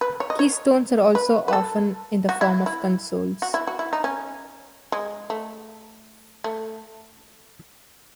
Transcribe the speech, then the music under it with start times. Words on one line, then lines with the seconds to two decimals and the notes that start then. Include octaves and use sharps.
Keystones are also often in the form of consoles.
0.01 B4
0.20 C#5
0.30 D#5
0.39 C#5
1.15 B4
1.48 B4
1.53 A4
2.29 F#4
2.41 E4
2.66 E4
3.42 F#4
3.54 E4
3.67 F#4
3.79 E4
3.93 D#4
4.04 C#4
4.92 G#3
5.30 A3
6.44 A3